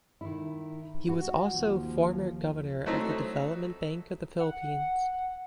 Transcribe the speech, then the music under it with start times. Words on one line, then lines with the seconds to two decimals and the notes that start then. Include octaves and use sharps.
He was also former Governor of the Development Bank of the Philippines.
0.21 D#3 E4
1.09 F#4
1.47 D#2 F3
2.86 F#3 A3 C4 D#4
4.40 F#5